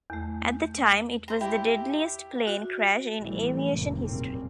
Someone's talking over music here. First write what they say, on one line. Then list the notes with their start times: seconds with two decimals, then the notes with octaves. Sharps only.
At the time, it was the deadliest plane crash in aviation history.
0.10 E2 A3
1.28 C5 A#5
1.41 E4 G4 G5
2.47 F#4
3.21 A1 E3 F3 G3 A3 C4
3.73 F1 D#2 A2 C3 A#3 C4
4.06 F#2 A#2 C#3 G3 A#3 C4